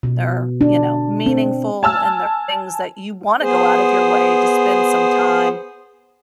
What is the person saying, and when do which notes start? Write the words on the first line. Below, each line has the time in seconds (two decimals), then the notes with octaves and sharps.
They're, you know, meaningful, and they're things that you wanna go out of your way to spend some time,
0.03 B2
0.61 D4
1.26 C4
1.83 G#5 A5 E6 F6
3.42 B3 G#4 C5